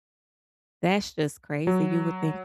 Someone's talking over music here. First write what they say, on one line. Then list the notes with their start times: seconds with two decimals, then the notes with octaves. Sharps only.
that's just crazy, you would think
1.67 F#3